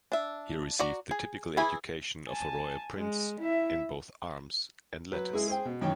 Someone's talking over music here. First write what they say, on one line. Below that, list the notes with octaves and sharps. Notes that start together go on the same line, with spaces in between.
He received the typical education of a royal prince in both arms and letters.
D4 E5
F#4 D5 A#5
G#4
E3 E4 G#4 B5
G#5 A5
G#3
E4 E5
F#3 B4
G#3 E4 G#4
G#4 C5 G5
B2
F#2 D#3 E3 C#4 C#5 G5